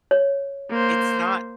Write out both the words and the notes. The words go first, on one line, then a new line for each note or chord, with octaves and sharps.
it's not
C#5
A#3 C5